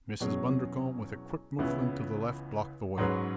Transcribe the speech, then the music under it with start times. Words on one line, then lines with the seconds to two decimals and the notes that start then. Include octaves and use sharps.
Mrs. Bundercombe, with a quick movement to the left, blocked the way.
0.20 E2 B2 F#3 C#4 G#4
1.58 C#2 C#3 E3 B3 E4
2.97 G#2 F#3 C#4 G#4 B4